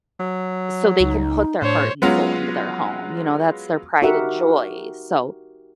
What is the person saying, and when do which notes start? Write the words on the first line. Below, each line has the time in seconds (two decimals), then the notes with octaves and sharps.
so they can put their heart and soul into their home, you know, that's their pride and joy, so
0.20 F#3
1.00 C#2 D#4
1.62 A2 D4 C5 C#5
2.02 F#3 G#3 B3 C#4 F4 F#4
4.02 D#4 F#4 G4 A#4 E5 F#5